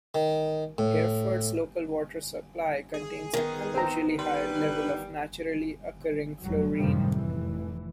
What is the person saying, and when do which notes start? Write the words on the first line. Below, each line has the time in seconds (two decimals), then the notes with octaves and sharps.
Hereford's local water supply contains an unusually high level of naturally occurring fluorine.
0.15 D#3
0.78 A2
2.94 G#4
3.34 D#3 B3 A#4
3.74 C4 C5 A#5
4.19 G3 B4 C6
6.41 F1 F#3
6.77 F#2 A2 C3 D#3 F3 G3
7.14 F1 E3